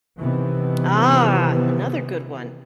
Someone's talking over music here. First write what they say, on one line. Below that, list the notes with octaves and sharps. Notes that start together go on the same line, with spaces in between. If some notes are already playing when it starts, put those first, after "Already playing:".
Ah, another good one.
C3 D#3 E3 B3